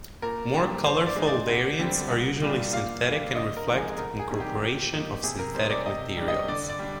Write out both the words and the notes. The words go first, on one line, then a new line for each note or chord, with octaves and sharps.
More colorful variants are usually synthetic and reflect incorporation of synthetic materials.
A#2 A#4
G3 A#3 D4
A#2 C5
D5
G#3 D#4
D5
D2
D3 G3 C4
C2
A#2 G3 D4 F4
A#2 F5
G3 D4
D3 D#5
A#4
F3 G#3 C4 D#4
G#4
D2 A#4
G#4
C3 D#3 G3
G4
A#2 G4
F3 A#3 D#4
C3 G#4
A#4
G3 C4 D#4 C5
D5
C3 D#5
G3 D4
D#5
D3 D5
D5
G3 D4